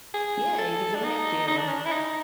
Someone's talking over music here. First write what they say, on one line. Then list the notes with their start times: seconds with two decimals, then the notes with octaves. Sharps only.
Yeah, 'cause you have to.
0.14 G#4
0.59 A4
0.95 D4
1.03 D#4
1.48 D#4
1.57 D4
1.68 C#4
1.78 D4
1.85 E4
1.92 D#4